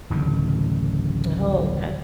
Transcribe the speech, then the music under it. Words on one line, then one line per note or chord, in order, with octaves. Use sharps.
Oh, 'kay.
D1 A1 C#3